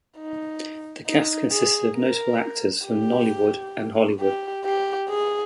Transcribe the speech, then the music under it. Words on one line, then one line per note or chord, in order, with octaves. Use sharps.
The cast consisted of notable actors from Nollywood and Hollywood.
D#4
D#4
G#4
A#4
G4
G4
G4
G#4